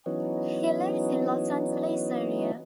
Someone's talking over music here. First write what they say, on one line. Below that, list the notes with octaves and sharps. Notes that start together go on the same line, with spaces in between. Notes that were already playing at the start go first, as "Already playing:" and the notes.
He lives in the Los Angeles area.
E3 F#3 B3 C#4 D#4